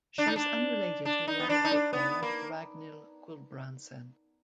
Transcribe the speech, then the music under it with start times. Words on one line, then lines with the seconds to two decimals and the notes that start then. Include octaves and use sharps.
She is unrelated to the other footballer Ragnhild Gulbrandsen.
0.18 D4
0.27 D#4
0.36 D4
1.05 D4
1.28 D#4
1.40 B3
1.49 D4
1.64 D#4
1.71 D4
1.93 B3
2.23 A#3